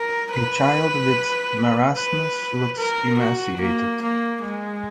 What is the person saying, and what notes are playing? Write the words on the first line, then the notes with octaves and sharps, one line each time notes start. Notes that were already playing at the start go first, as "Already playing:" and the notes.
A child with marasmus looks emaciated.
Already playing: A#4
B4
B4
A#4
F#4
A#3
A#3
G#3